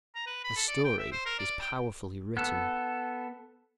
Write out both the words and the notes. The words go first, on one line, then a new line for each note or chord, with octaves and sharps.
The story is powerfully written.
A#5
B4
B5
A4
D5
G5
E5
C5
A#4
D5
G5
B3 A4